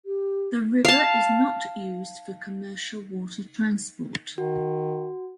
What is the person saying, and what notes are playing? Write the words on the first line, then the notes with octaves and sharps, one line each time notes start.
The river is not used for commercial water transport.
G4
F5 A5
D#3 F#4